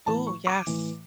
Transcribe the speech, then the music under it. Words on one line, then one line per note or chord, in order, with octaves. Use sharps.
Ooh, yes.
A2 E3 A5
C#6
D6
A2 E3